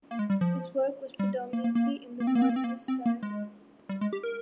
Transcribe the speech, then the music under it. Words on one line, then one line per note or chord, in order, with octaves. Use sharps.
His work was predominantly in the Modernist style.
A#3
G#3
G3
F3
G3
A#3
A#3
A#3
A#3
C4
A#3
C4
A#3
C4
A#3
C4
A#3
G#3
G3
G#3
G4
A#4